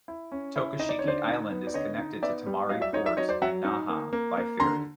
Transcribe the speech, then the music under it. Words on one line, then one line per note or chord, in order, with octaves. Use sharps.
Tokashiki Island is connected to Tomari Port in Naha by ferry.
E4
C#4
E4
D#4 D#5
D5
C#5
D3 C5 D5
D#4
B3
D5
D3 C#5 D#5
D#4
B3 D5 E5
G3
F#3 D#5 F5
D5 E5
D#4 C#5 D#5
D5 E5
F#3 C#5 D#5
C5 D5
F#3 E5 F#5
D#4
A#3
A#3
A#3
D3 A#5 C6